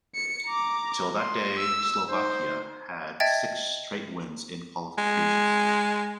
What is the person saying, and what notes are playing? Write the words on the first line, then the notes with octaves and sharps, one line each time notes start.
Till that day, Slovakia had six-straight wins in qualification.
C#7
A#5 D6
C6
E6
D#4 C5
D#5 E5 G5 A5 G#6 A6
G#3